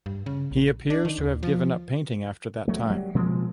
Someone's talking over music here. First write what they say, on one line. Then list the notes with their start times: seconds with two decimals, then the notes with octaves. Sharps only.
He appears to have given up painting after that time.
0.06 G2
0.26 C#3
0.51 A#1
0.90 D4
1.05 D#3
1.18 D#2
1.43 F3
2.68 F#3 A3
2.90 F#3 G3
3.15 B2 F3 G#3 A#3